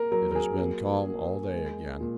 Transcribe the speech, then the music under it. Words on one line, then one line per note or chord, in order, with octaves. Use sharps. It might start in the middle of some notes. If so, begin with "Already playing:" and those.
It has been calm all day again.
Already playing: A#3 A#4
F#3 A#4
A#4
G#4
A#3
A#3
G#3
A#2